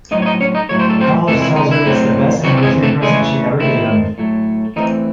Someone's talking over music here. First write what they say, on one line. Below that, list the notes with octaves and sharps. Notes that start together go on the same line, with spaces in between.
Carlos tells her it's the best anniversary present she ever gave him.
A2 F#3 C4 D#4 D#5
C#5
D#4 D#5
C#4 C#5
D#4 D#5
A2 F#3 A3 C#5
C5
A4
C4 C5
C3 E3 G#3 A3 A4
E4
D#4
E4
A2 F#3 C4
C3 E3 F#3 C4 F#4
A4
G#3 G#4
A3 A4
C#3 E3 G#3 A3 C#4 G#4
D#3 A3 C4 E4
A2 F#3 A3
E3 A3 C4 D#4